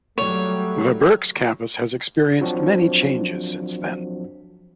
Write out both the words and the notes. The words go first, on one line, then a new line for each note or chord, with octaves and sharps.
The Berks campus has experienced many changes since then.
F#3 G3 A3 C#5
F3 F#3 C4 D4 F#4